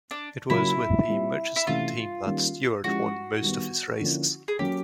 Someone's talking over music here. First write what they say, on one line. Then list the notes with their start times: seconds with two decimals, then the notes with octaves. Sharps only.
It was with the Merchiston team that Stewart won most of his races.
0.11 D4
0.50 C#3 F#3 A#3 C#4 E4 F4
1.08 A#2 G3 C4
1.56 E4
1.67 C3 E3 A3 C#4 F4
2.25 D#3 G3 A#3 C#4
2.84 F3 G#3 C#4 E4 F#4 G4
3.42 D#3 G3 B3
4.00 D3 F3 A#3 C#4 E4
4.48 G#4
4.59 F#3 A#3 C#4 G4